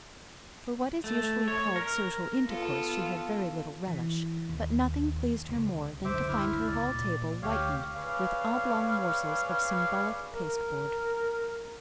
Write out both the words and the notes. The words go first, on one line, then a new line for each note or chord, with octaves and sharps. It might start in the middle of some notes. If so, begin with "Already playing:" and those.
For what is usually called social intercourse she had very little relish; but nothing pleased her more than to find her hall-table whitened with oblong morsels of symbolic pasteboard.
A3
C#5
A#4
B3 F4 A4
E3
D#2
C#2
C#2 F#2 D3 C5 E5 D6
E4 F6
C#2 D5
A#2
D2 G4 C#5 F5
G#4 B4 C#5 D5 F5
A#4